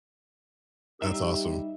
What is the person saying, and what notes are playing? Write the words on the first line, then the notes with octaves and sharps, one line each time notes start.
That's awesome.
G3 D#4 E5